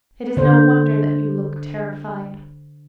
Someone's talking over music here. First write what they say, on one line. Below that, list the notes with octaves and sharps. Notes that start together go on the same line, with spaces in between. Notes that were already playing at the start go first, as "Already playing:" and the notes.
It is no wonder that you look terrified.
D3 C5